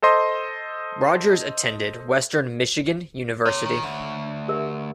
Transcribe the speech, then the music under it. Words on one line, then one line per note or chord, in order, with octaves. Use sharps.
Rogers attended Western Michigan University.
A4 C5 D#5 C6
C3 C#5
D#3
D2
G4 A#4 E5